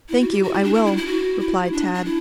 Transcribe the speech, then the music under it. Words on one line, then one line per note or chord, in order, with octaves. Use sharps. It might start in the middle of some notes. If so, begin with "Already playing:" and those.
"Thank you, I will," replied Tad.
E4
F#4
G4
F#4
E4
D4
E4
E4
D4
E4
F#4
E4
D4
D4
E4